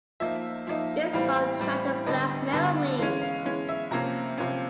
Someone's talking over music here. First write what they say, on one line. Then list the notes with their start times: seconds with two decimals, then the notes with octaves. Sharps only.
This bum tried to blackmail me!
0.20 F3 A#3 D#4 E5
0.67 F3 A#3 D#4
1.13 A2 E3 G3 C4 F5
1.60 A2 E3 G3 C4
2.06 D3 G3 B3 D4 D#5
2.52 D3 G3 B3 D4
2.98 E3 G#3 C#4 F5
3.22 F5
3.45 E3 G#3 C#4
3.69 E5
3.91 C3 F3 A#3 C#4 A#5
4.38 C3 F3 A#3 C#4